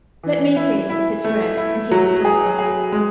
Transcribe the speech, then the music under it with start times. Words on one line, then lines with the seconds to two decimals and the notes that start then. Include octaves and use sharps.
"Let me see," said Frere; and he looked also.
0.23 E3
0.56 E4
0.90 E4
1.24 A3
1.57 E4
1.91 F#3
2.25 G#4
2.59 G#4
2.92 G#3